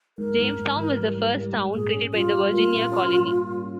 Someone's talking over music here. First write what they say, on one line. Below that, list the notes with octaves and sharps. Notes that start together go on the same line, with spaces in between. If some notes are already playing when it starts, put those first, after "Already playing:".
Jamestown was the first town created by the Virginia colony.
G#2 A#4
G#2
G#2
E3
G3
G#2
G3
G#2
A#2 G#4
C#4
G3 F4
G3
A#3 F4
A#2
C#4